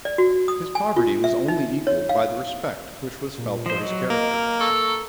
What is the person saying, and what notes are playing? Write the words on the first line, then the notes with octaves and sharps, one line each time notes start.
His poverty was only equalled by the respect which was felt for his character.
D5
F#4
D#6
G#5
F4
E5
D#4
C#5
F5
A#2
F3 C5 D#5
F#3
A#3 A#4
A4 C#6